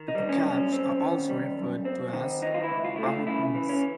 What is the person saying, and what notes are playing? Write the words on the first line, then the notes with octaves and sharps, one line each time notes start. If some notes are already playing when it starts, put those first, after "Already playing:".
The Bacabs are also referred to as "Pauahtuns".
Already playing: D#3
D#4
G3
C#4
F#2
C#4
C4
D#3
G3
F#2
C4
D#3
E3 D#4
F4
E4
C#2
F4
A3 E4
F4
C#3 E4
E3
C#4